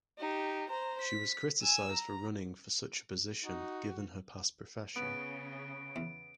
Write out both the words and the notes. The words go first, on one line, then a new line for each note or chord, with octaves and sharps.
She was criticized for running for such a position, given her past profession.
D#4 G4
C5 A#5
B6
G#5 E6
A#5
D#4 F#4
C#3 B3 D7
E2